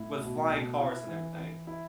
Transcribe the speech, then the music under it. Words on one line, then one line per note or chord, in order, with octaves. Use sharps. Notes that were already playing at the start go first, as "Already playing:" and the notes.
with flying cars and everything.
Already playing: A2 E4
B2
B2
E4
E3
E3
E4